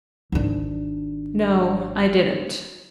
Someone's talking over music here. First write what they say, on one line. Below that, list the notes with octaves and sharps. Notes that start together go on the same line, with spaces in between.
"No, I didn't."
G#1 D4